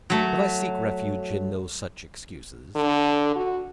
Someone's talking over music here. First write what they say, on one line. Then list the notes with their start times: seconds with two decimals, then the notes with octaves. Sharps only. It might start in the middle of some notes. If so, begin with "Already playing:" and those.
But I seek refuge in no such excuses.
0.10 F#3 A3
2.75 D3
3.36 F#4